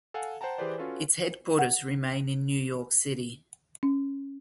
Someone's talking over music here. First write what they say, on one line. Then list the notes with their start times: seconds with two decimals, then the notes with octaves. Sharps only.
Its headquarters remain in New York City.
0.14 A4 F5 F#5 G#5
0.41 C5 F#5 G5 A5 A#5
0.58 E3 G4 G#4 B4 C5 D5
0.78 C#4 F4 F#4 A4 B4
1.59 F#5
3.83 C#4